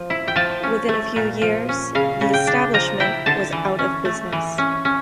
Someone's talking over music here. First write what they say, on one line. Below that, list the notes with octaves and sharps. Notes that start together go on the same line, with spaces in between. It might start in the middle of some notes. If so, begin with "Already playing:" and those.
Within a few years, the establishment was out of business.
Already playing: F3
E4
G5
F3 A5
C#4
A3
A#2
F3
C#4
C#3 F5
C#3
G5
D4
F3 A#5
E4 G5
D3 A5
E3
C#4
A3
E3
C#4
C#4